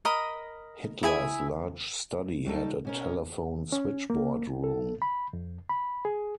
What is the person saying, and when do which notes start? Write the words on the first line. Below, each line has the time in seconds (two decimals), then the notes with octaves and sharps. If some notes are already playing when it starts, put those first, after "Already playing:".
Hitler's large study had a telephone switchboard room.
0.05 A#4 D#5 B5 D#6
1.03 E4 G#4 E5 G#5
2.46 F#3 G3 D#4 A4
2.85 B2 C#4 A#4
3.72 C#4
4.10 A#3
4.64 A4
5.02 B5
5.33 F2
5.69 B5
6.05 G#4